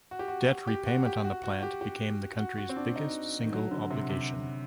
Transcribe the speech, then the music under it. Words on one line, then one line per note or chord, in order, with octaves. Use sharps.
Debt repayment on the plant became the country's biggest single obligation.
F#4
G4
F#4
G4
F#4
G4
F#4
F#4
G4
G4
F#4
F#4
C4
D4
D#4
D#3
F#3
D3
C3
C3